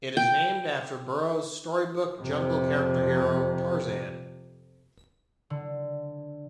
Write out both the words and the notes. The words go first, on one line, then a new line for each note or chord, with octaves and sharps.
It is named after Burroughs' storybook jungle character hero, Tarzan.
G5
F2 C3
D3